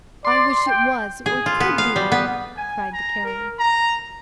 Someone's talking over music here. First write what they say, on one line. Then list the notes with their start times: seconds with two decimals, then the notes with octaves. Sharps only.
"I wish it was, or could be!" cried the Carrier.
0.25 D5 C6
0.66 G5
1.26 G#4
1.46 F4
1.60 B3
1.78 F5
1.96 G3
2.12 B3
2.56 G#5
2.92 A#5
3.23 A#4
3.58 A#5